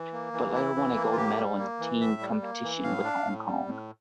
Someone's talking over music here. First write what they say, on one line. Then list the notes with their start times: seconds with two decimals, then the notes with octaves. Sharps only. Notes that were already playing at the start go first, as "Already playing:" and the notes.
But later won a gold medal in the team competition with Hong Kong.
Already playing: E3
0.13 A#3
0.33 E3
0.54 E4
0.75 E3
0.95 A#3
1.12 F4
1.17 A2 G4
1.37 G3
1.58 A#3
1.80 E3
2.00 A2 E5
2.21 G3
2.42 A#3
2.63 E3
2.84 A2 F5
3.04 D4
3.26 A2
3.46 G3
3.67 A2